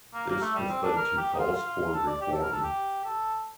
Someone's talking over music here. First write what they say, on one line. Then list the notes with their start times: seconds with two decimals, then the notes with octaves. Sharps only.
This has led to calls for reform.
0.14 A#3
0.27 A#3
0.41 A3
0.55 G3
0.69 C4
0.83 D4
0.96 A#4
1.17 G4
1.34 D#4
1.39 F4
1.52 F4
1.66 F4
1.79 F4
1.93 A4
2.07 D5
2.21 G4
2.32 A4
2.41 A#4
2.52 A4
2.63 G4
3.05 A4